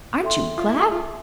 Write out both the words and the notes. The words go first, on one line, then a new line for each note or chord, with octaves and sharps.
Aren't you glad?
A4 E5 G5 C6
F4
E4
F4
F4